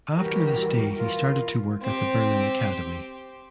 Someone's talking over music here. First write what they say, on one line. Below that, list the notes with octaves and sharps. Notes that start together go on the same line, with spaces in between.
After the stay he started to work at the Berlin Akademie.
E3 G3 F#4 G4 A#4
E3 F4 A#4
C4 G4